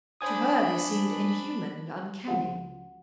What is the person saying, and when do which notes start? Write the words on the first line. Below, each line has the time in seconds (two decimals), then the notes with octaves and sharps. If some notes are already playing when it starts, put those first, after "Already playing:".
To her they seemed inhuman and uncanny.
0.21 D4 C5 G#5 B5 D#6
2.28 C#2 F3 F#4 F#5